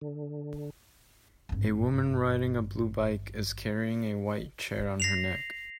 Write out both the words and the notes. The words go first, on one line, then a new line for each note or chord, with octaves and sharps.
A woman riding a blue bike is carrying a white chair on her neck.
D3
G#1 G2
A#6 C7 F7